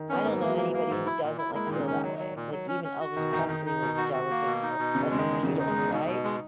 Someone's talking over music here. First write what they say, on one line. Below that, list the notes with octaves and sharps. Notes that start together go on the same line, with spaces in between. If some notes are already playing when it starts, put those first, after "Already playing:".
I I don't know anybody who doesn't, like, feel that way. Like, even Elvis Presley was jealous of, uh, of the Beatles, right?
Already playing: D#3
B3 C#4
G#2 A#3
G#3
F#3 A#3
E3 A#3
A#3
G#2
E4
A#2
E4
A#3
G#3 E4
D#3
A#2
C#3
D#3 C#4
F#3
F#3
A#2
F#3
C#4
C#4
F#4
B2 D#3
D#3 D#4
D#3 D#4
D#4
B2
F#4
F#4
A#3
B2
D#4
B2
E2 C#3
C#3 G#3
D#3
E2
E2 C#3
D#4
G#3
E2
B2 D#4
B2
G#3